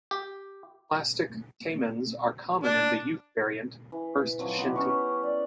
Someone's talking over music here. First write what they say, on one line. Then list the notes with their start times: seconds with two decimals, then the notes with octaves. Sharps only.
Plastic camans are common in the youth variant "First Shinty".
0.11 G4
2.63 D4
3.92 E3
4.39 D#3 F3 F#3 C4
4.58 B3 D#4 E4 G4
4.76 C#4 E5 C#6
5.23 D5